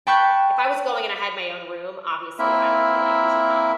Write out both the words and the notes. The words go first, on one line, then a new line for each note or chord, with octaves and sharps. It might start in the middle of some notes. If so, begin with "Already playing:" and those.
if I was going and I had my own room, obviously I would be like, "You should come."
G5 A5 B5 C#6 F#6 G6
A#3 C4 E4 A#4 E5